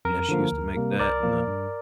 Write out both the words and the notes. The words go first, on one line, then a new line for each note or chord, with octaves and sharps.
Yeah, she used to make that, and the,
F2 A#4
D3 F3 A#3
D2
C3 G3 A#3
C2 A#4 D5
A#2 F3 A#3
G2